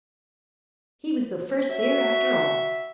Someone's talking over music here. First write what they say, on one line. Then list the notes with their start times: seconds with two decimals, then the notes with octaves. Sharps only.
He was the first there after all.
1.70 F#4 E5